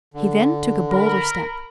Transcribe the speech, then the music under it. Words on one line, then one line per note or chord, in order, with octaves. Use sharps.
He then took a bolder step.
D3
A#4 B5